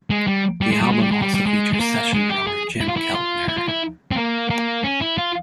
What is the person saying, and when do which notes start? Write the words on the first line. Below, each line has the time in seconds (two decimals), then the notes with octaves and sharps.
The album also features session drummer Jim Keltner.
0.10 G#3
0.27 G3
0.61 G3
0.72 G#3
0.82 G3
0.92 G#3
1.01 G3
1.11 G#3
1.22 G3
1.34 G3
1.46 G#3
1.73 G#3
1.80 A#3
2.14 G#3
2.30 G4
2.47 G#4
2.81 E4
2.88 F4
2.96 E4
3.14 F4
3.48 E4
3.58 F4
3.68 E4
4.12 C4
4.16 A#3
4.50 A#3
4.84 C#4
5.01 E4
5.18 F4